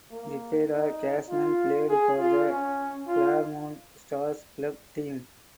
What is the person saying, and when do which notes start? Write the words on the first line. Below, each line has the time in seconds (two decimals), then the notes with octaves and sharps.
Zepeda Cashman played for the Claremont Stars club team.
0.11 A#3
0.71 D#4
1.29 F4
1.89 G#4
2.18 F4
2.48 C#4
3.07 F4